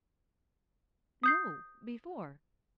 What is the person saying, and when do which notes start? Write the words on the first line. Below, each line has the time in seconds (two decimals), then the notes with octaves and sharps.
"No, before."
1.23 D#6 G6 C7